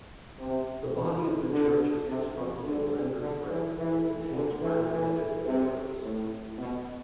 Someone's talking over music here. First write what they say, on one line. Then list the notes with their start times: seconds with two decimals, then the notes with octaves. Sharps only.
The body of the church is constructed in rendered brick, and contains round-headed windows.
0.39 C3
0.96 E3
1.51 D3
2.08 C3
2.36 F2
2.64 D3
3.20 D3
3.49 E3
3.77 E3
4.33 D3
4.61 E3
4.90 E3
5.45 C3
6.02 A2
6.58 B2